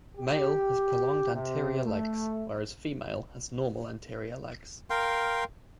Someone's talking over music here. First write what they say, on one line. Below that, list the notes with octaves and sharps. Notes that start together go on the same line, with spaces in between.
Male has prolonged anterior legs whereas female has normal anterior legs.
G4
C3
A3
A#4 F5 G5 C6